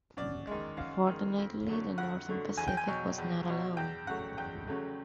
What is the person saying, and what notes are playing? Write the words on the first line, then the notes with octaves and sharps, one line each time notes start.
Fortunately, the Northern Pacific was not alone.
F#2 D5
D#3 G#3
F#2 F5
D#3 G#3
F2
D3 F#3 A3
F2 F#5
D3 F#3 A3
E2 G#5
G5
G#5
B2 F#3
E2
B2 F#3
E2 G5
C#3 F#3 A3 F#5
E2 G5
C#3 F#3 A3